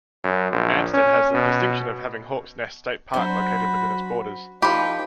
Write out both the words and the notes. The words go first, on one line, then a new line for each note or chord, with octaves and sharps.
Ansted has the distinction of having Hawk's Nest State Park located within its borders.
F#2
A#1
C#4
B2
F#3 C#4 D4 F#4 C5 B5
F3 D#4 E4 G4 A#4 G5 B5